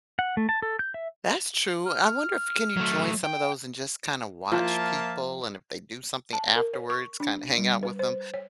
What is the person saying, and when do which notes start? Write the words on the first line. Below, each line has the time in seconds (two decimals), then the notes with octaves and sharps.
That's true. I wonder if can you join some of those and just kinda watch people and if they do something afterwards, kinda hang out with them.
0.19 F#5
0.37 A3
0.49 A5
0.62 A4
0.79 G6
0.94 E5
1.86 F6
2.77 F#3 A3
3.24 G5
4.52 F3 A#3 F4 E5 A5
6.33 A5
6.56 A#4
6.73 C#5
6.90 C#6
7.20 D4
7.58 G3
7.83 B4
7.99 C5
8.34 C#5